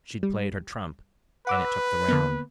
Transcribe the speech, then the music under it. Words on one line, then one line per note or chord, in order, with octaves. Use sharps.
She'd played her trump, and it took the round.
G3
B4 F#5 D6 E6
D3 A#3 B3